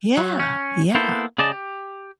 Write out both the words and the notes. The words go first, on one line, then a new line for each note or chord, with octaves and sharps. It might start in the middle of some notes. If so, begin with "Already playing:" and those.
Yeah. Yeah.
F#3
C#4
A#3 B3 E4 A4 C5
C#3 G#4 D5 D#5 A5
G4